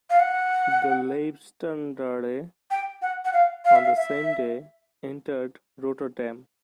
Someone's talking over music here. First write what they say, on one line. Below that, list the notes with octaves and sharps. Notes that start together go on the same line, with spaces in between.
The "Leibstandarte" on the same day, entered Rotterdam.
F5
F#5
G5
F#5
F#5
F5
F5
E5
F5
E5